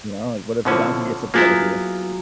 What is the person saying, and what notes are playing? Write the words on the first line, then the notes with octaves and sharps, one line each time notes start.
You know, like, what if the donkey gets upset with you?
B2 D3 F3 C4 C#4 E4
F#3 A#3 B3 E4 F4 G#4